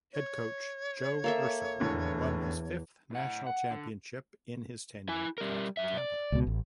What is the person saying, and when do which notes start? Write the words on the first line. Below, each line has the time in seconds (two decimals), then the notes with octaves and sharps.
Head Coach Joe Urso won his fifth national championship in his tenure at Tampa.
0.13 C#5
1.24 A#3 A4 E5
1.80 F1 E2 A2 D3
3.11 A2 F#5
3.47 F#5
3.71 D3
5.09 E4 G#5
5.38 G3 A#4
5.77 F#2 E5
5.97 D5
6.32 C#2 B2
6.47 A1